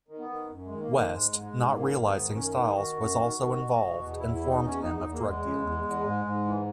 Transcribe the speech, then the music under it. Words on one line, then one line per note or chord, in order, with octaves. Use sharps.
West, not realizing Styles was also involved, informed him of drug dealing.
D#3
B3
D#3
F#2
G#3
D#3
A#3
D#3
A#3
G#2 G#3
G#2
G#3
G#2
D#3 A#3
G#2
B3
D#3
F#2 C#4
D#3 D#4
D#3 F#4
F#2
D#3
D#3
B2
B2
E2
E2 E4
E4
B2
D#4
E2 C#4
E2 D#4
E2 D#4
A#3
E2
G#3
C#3
E2
E2
G#2
G#2
E3